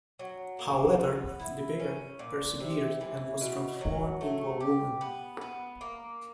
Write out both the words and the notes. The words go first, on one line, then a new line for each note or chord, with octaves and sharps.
However, the bear persevered and was transformed into a woman.
F#3
A#3
B3
E4
C#4
A#2
C3
E3
B2
F#3
A3
G4
B3
B3
A#3